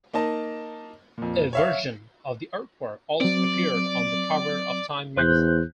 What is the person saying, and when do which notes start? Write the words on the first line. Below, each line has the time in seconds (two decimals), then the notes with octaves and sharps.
A version of the artwork also appeared on the cover of "Time" magazine.
0.13 A#3 D#4 D#5 A5
1.18 F2 A#2
1.53 C#5 E5 F5
3.21 F#3 C4 D5
5.17 E2 C5 F#6 G6